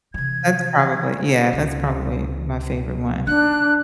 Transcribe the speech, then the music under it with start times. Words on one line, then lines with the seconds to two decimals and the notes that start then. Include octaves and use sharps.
That's probably yeah, that's probably my favorite one.
0.14 C3 E3 G#6
1.53 C#2
3.27 D4 D#4 F#6